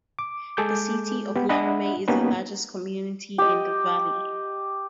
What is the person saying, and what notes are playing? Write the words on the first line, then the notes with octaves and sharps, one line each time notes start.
The city of Laramie is the largest community in the valley.
D6
G#3 G#4 A4 D6 G6
B3 G4
D4 D#5 E5 F#5 B5
A#3 B3 C#4 D#4 G4 B4
G4 D#5